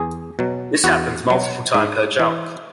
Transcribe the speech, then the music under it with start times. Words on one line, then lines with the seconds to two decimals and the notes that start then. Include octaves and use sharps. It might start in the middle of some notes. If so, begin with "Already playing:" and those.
This happens multiple times per jump.
Already playing: E2 G#4
0.39 B2 F#3
0.84 E2 F#4
1.29 B2 F#3
1.74 G#2
2.19 E3